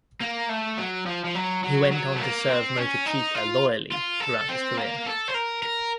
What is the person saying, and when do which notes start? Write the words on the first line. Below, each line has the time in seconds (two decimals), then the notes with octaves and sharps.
He went on to serve Motochika loyally throughout his career.
0.21 A#3
0.49 A3
0.78 F#3
1.06 F3
1.24 F3
1.35 F#3
1.64 F#3
1.92 F#3
2.16 A3
2.20 A#3
2.49 C4
2.77 C#4
3.06 D#4
3.35 F4
3.92 F4
4.20 A4
4.48 C4
4.77 A#3
5.06 A4
5.28 C5
5.34 A#4
5.63 A#4